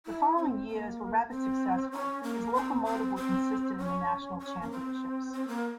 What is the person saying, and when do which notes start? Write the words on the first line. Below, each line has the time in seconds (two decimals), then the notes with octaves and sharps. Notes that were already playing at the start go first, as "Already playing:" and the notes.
The following years were rather successful as Lokomotiv were consistent in the national championships.
0.06 E4
0.37 C#4
0.41 C4
0.68 A#3
1.30 C4
1.91 C#4
2.23 A#3
2.54 C4
2.85 C4
3.16 C4
3.78 C#4
4.39 C#4
4.61 A#3
4.71 C4
5.33 C4
5.48 A#3